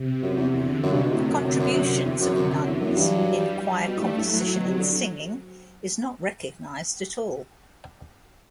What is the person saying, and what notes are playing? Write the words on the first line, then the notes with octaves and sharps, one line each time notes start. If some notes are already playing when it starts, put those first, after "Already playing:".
The contributions of nuns, in choir composition and singing, is not recognized at all.
Already playing: C3
F#2
E2
E2 D3
F#2 C3
G2
B2
A2
F#2
F#2 D3
F#2
F#2 C3
E2
F#2
F#2 D3
F#2
E2 E3
F#2
G2 F#3
G3
G3
B2 A3
A2
G2
A2 F#3
A2
A2
B2
C3
D3